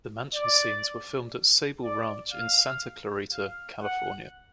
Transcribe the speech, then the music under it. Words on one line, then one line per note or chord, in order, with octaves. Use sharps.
The mansion scenes were filmed at Sable Ranch in Santa Clarita, California.
D5
D5
F5
F5
F#5